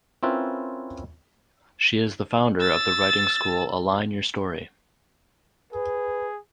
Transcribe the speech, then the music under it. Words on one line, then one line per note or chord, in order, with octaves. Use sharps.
She is the founder of the writing school Align Your Story.
C4 C#4 E4 F4 A#4 B4
E6 A6
G#4 B4